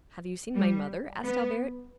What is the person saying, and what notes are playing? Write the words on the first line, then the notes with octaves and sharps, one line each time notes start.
"Have you seen my mother?" asked Albert.
G3
B3